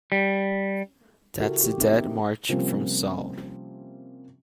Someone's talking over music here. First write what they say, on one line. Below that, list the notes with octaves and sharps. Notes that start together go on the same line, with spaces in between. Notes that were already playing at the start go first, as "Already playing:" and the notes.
That's the Dead March from 'Saul'.
G3
C#3 E4 F#4 G4 A4 A#4
E3 G4
C4 D#4 E5
A#3
C3 F3 G3 A#3 C4 C#4